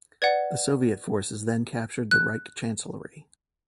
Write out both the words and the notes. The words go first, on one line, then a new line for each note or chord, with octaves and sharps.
The Soviet forces then captured the Reich Chancellery.
B4 D5 F#5 G#6
F#6